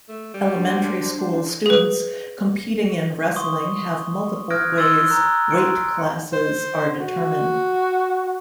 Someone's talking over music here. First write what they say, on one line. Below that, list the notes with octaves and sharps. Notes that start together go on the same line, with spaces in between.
Elementary school students competing in wrestling have multiple ways weight classes are determined.
A3
G3
D4 C5
G#4 B4
C6 C#6 D#6 G7
D#6 F6 F#6 G#6 A#6 D7
C6 E6 G#6 A6 F#7 G7
A#5 F#6
C6 C#7 D7
C5
F#4